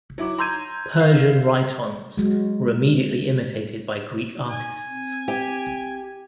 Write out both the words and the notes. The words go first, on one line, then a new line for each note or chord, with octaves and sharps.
Persian rhytons were immediately imitated by Greek artists.
F#3 E4 D6
A#5 C6 E6 G6 G#6 D#7
E5 F5
F#3 G#3
D#4
G#5
C4
G4